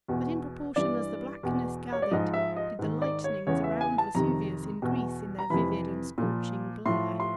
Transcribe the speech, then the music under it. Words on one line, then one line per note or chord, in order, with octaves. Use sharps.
But in proportion as the blackness gathered, did the lightnings around Vesuvius increase in their vivid and scorching glare.
E2 B2
G2 E3 D5
E2 B2
C#5
D5
G#2 F3 D#5
E5
D#5
G#2 D#3
D5
C#5
E2 C#3 E3 C#5
E5
G#5
A5
F2 C3 D#3 A#5
E2 B2
A#5
F2 C3 E3 B5
A#2 F3
A2 F3 C6
C6